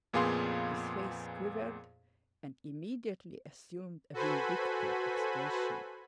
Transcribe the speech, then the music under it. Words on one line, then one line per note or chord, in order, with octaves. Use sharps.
His face quivered and immediately assumed a vindictive expression.
F2 A#2 B3 G#4 F5 C6
F#4 A4 B4 C5 G#5 B5